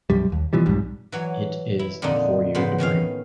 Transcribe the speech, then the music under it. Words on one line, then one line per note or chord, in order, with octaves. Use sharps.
It is a four-year degree.
B1 F#2 G3
D#2
B2 E3 F3 G3
B1 F2 G#2 G3
E3 F#3 C#5
E4
F2 A#2 D3 D4 D#4
G#2 C#3 B3 C5
A2 D#3 C#4 F5